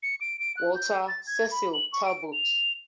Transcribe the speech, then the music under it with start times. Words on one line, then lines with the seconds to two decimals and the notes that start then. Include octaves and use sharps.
Walter Cecil Talbot.
0.03 C#7
0.21 D7
0.40 D7
0.57 F#6
0.75 G6
1.08 A6
1.27 G#6
1.52 B5
1.73 F#7
1.93 C#6
2.06 D7
2.32 F7